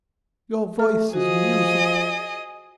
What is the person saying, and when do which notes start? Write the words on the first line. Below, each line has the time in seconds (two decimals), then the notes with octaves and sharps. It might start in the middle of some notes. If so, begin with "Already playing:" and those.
"Your voice is music."
0.79 A3 A4 F6
1.13 F3 F#4 G#4 D#5